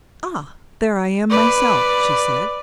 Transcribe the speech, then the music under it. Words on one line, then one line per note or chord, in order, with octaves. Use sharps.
"Ah, there I am myself!" she said.
B4 D5